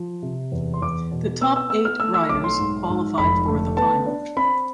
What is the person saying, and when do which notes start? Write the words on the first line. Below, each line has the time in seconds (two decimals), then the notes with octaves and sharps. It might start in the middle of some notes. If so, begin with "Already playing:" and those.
The top eight riders qualified for the final.
Already playing: F3
0.23 C3
0.52 E2
0.74 C6
0.82 E2 D6
1.12 B2
1.41 B3 E6
1.56 E6
1.70 B3 E6
1.85 F6
2.00 A3 E6
2.14 E6
2.29 B1 D6
2.44 C6
2.59 G#2
2.89 G#2
3.18 F1 B5
3.48 A3
3.77 B3 A5
4.06 D4
4.37 C4 B5